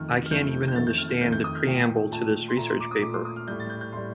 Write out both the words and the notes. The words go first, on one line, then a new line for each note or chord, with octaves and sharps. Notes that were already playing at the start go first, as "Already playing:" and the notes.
I can’t even understand the preamble to this research paper.
Already playing: F2 D#3 A3 F6
F6
F2 D#3 A3 G6
G6
F2 D#3 A3 A6
G6
F6
F6
F2 D#3 A3 G6
G6
D#6
F6
A#2 A3 G5
A#2 A3 A5
C6
A#2 A3 A#5
C6
D6
D#6
A#2 A3 D6
C6
D#6
F6
A2 G3 G6
A6
G6
G6
A2 G3 C6